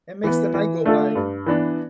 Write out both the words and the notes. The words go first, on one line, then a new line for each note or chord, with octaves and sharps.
It makes the night go by.
E3 B3
E3
A3 D4 F4 A4
G2
E3 B3 D4